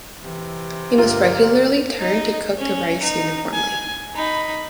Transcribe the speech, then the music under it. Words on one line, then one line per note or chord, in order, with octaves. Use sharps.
He must regularly turned to cook the rice uniformly.
C3 E3
G2 D3 A#3 F4 A#4
D#4 D#5
C#4
D#4
G#5
D#4 B5